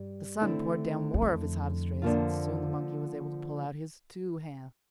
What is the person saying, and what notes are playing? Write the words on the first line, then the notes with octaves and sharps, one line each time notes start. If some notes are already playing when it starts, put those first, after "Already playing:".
The sun poured down more of his hottest rays and soon the monkey was able to pull out his two hands.
Already playing: G2 G3
D3 A3 C4 E4
E2
F2
D3 F3 A#3 F4